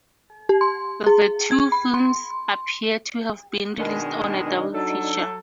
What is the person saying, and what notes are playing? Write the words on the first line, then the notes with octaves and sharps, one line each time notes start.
The two films appear to have been released on a double feature.
G4
C6
G#4
G#6
B5
C6
B2 D#3 G#3 D4 D#4
F#3 A4